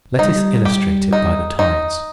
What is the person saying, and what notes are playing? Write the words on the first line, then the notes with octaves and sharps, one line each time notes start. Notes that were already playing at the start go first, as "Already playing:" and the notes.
Let us illustrate it by the tides.
G3 D#4
G4
D#4
D#4